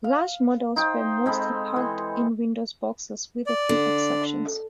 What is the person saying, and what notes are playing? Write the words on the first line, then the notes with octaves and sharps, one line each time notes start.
Large models were mostly packed in window boxes, with a few exceptions.
F5
D#4 C5 G5
G#3 C4 A4 B5
E3
D5
D3